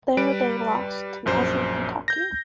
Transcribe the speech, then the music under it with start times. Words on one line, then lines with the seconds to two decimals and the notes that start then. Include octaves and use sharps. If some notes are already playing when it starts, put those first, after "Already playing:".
There they lost to Northern Kentucky.
0.17 G3 B4 D7
1.26 A#1 F#2 C5
2.08 G6 A#6